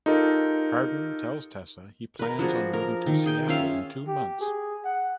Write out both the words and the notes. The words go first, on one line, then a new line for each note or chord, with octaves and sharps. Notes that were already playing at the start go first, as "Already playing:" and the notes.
Hardin tells Tessa he plans on moving to Seattle in two months.
D#4 F4 G4 A4 A#4
A#4 B4
F3 D4 F#4 G#4
A#4
D#3
G#4 G5
C#4 F4 E5 F5
G4
G#4
F#5